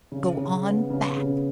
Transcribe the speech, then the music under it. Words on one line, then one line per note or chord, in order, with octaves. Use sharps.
"Go on back!"
C#3
C#3
B3
C#3
C#3